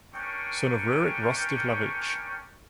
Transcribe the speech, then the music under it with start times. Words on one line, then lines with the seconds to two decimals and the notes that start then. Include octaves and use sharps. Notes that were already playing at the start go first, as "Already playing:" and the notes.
Son of Rurik Rostislavich.
0.14 C#4 D4 A#4 G5 C#6